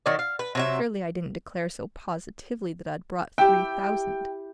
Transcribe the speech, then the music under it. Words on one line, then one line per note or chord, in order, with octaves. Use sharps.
"Surely I didn't declare so positively that I'd brought three thousand?"
D#3 F#3 D5
F5
B4
C3 F#3 E5
E4 G4 G5